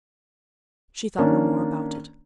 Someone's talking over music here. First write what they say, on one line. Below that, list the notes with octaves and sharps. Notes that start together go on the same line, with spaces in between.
She thought no more about it.
D#3 A#3 C#4 D4